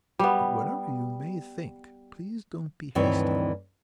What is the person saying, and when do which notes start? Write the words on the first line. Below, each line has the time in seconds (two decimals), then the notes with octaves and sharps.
But whatever you may think please don't be hasty.
0.19 G3 B3
2.95 D2 G2 D#3 E3 C4 C#5